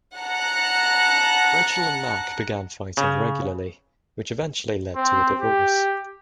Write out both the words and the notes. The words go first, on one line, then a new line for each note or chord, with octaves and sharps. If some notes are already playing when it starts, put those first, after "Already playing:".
Rachel and Mac began fighting regularly, which eventually led to a divorce.
F#5 A5 A#5 F#6 C#7
C#3
C4
G4